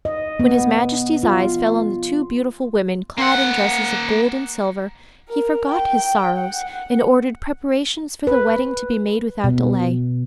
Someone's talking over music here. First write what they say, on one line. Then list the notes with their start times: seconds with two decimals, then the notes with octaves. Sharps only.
When his Majesty's eyes fell on the two beautiful women, clad in dresses of gold and silver, he forgot his sorrows and ordered preparations for the wedding to be made without delay.
0.05 D#5
0.40 B3
1.23 F4
3.18 A#3 F#5
5.30 A#4
5.71 G5
6.38 F#5
8.27 B4
9.44 B2